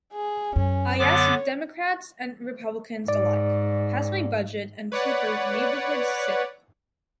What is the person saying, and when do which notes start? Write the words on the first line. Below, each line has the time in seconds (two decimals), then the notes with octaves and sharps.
I ask Democrats and Republicans alike: Pass my budget and keep our neighborhoods safe.
0.13 G#4
0.56 F#2 C#4
0.99 D3 B3 C#5 D6
3.08 G#2 D5
4.92 B4 C#5 D5 F#5